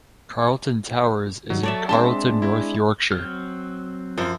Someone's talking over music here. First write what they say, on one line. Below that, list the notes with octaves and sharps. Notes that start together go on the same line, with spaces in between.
Carlton Towers is in Carlton, North Yorkshire.
G2 D#3 F#3
A4 C#5 D5 E5 A5
G#3 C4 D4 E5 A5 C6
E4
F#3 C4 F6
F#2 F3